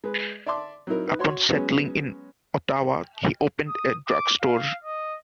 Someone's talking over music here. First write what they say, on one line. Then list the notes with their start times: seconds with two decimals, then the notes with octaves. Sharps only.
Upon settling in Ottawa, he opened a drug store.
0.04 G#3 B4
0.46 D5 E5 A5 C6 D6
0.87 F#3 C4 D#4 E4 A#4
1.06 D#4 B4
1.19 F#4 C#5 C6 C#6
1.53 F#3 G#3 B3 C#4
3.68 D#6
4.08 D6
4.42 F5
4.84 D#5